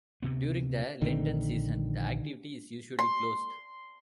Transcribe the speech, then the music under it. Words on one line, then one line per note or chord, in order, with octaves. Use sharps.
During the Lenten season the activity is usually closed.
D2 C3 B3
A#1 D3 D#3 A3 C4
C6